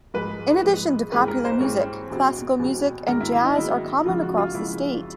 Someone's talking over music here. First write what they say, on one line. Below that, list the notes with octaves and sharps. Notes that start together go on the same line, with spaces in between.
In addition to popular music, classical music and jazz are common across the state.
G#2 F3 G#3 B4
G#2 F3 G#3
G#2 E3 G3 C4 B4
A#4
C5
G#2 E3 G3 C4 C#5
E2 B2 G3 C4
E2 B2 G3 C4
G#2 D#3 F#3 B3 A#4
E4
E4
D#4
G#2 D#3 F#3 B3 E4
F2 C#3 F3 G#3 F4
F#4
F4
F2 C#3 F3 G#3 E4